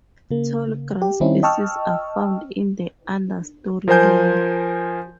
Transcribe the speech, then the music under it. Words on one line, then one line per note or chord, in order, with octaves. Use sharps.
Tallgrass species are found in the understory layer.
C#3 A#3
G4
D#3 G3 C4 C#4 D#4 E4
D#5 G5 A5 C#6 E6 F6
F3 A#4 C5 G#5 G6